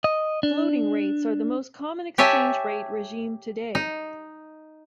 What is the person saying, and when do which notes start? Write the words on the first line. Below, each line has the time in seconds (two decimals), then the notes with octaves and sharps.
Floating rates are the most common exchange rate regime today.
0.04 D#5
0.43 D4
2.18 G4 C#5 E5 G#5 A5
3.75 D#4